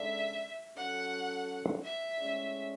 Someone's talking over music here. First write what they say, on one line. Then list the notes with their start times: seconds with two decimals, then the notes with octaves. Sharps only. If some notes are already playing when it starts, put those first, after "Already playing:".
Buildings can be destroyed if a monster directly attacks or is thrown into it.
Already playing: C#3 G#3 D4 A4 D5 E5
0.76 F#3 C#4 F#4 A4 F#5
1.84 E5
2.19 A2 G#3 C#4 G#4 D5